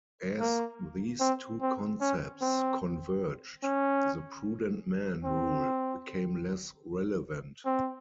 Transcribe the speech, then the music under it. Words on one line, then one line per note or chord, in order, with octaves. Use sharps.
As these two concepts converged, the Prudent Man Rule became less relevant.
A#3
C4
C4
C#4
C4
C#4
C4
C4